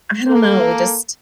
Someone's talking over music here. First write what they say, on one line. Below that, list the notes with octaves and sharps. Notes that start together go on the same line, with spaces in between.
I don't know, we just
A#3 A4